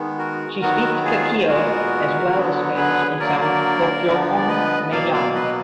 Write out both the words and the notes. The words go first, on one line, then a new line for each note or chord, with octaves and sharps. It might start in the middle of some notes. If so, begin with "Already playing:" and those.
She speaks Kaqchikel as well as Spanish and some Poqomam Mayan.
Already playing: D#3 G#3 B3
F#4 A#4
D#3 F#3 B3 F#4 A#4
F4 G#4
A#2 G#3 B3 F#4 A#4
D3 F#3 B3
G#4 B4
D3 F#3 A#3 A#4 D5
A#4 D5
D3 F3 B3
D5
B4 D#5
B2 F#3 A#3 D5 F5
D5 F5
B4 D#5